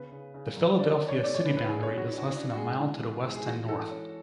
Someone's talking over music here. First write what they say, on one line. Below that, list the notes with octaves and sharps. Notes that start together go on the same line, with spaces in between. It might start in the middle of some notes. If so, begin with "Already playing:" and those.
The Philadelphia city boundary is less than a mile to the west and north.
Already playing: C#3 B3 B4
C#3
C#3
F#3
C#4 D5
D5
C#4
C#5
A3 D5
C#5
E3 B4
B4
D4 G#4
C#5
B3
F#4
D4 E4
F#4
D4
F#4
G#3 G#4
E3
B3
G#3
G#4
E3 F#4
E3 A4
C#4